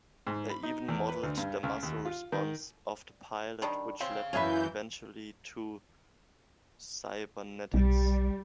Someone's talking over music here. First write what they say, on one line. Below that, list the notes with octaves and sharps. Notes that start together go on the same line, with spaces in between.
They even modeled the muscle response of the pilot, which led eventually to cybernetics.
G#2
B5
D#4
E2
B4
D2
G2
C#2
D#2
F4
D#3
D#3 G3 D4
C4 C#5 F5
F#2 E3 C#4 G#4 B4 E5 G6
B1 G3